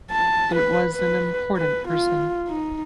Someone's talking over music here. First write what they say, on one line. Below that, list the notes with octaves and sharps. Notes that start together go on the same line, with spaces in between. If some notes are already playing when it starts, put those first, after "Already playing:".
It was an important person.
A5
B4
B4
B4
F4
D#4